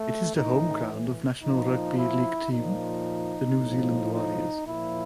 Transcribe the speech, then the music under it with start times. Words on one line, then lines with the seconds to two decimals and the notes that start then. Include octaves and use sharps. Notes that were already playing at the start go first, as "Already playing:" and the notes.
It is the home ground of National Rugby League team, the New Zealand Warriors.
Already playing: A3
0.34 A2 E3 D#4
1.42 A#2 F3 D#4
1.97 E4
2.50 A#2 F3 D#4
3.59 A2 F3
4.13 D#4
4.67 A#2 F3 E4